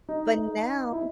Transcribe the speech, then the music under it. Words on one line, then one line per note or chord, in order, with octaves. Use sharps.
But now
D#4
E4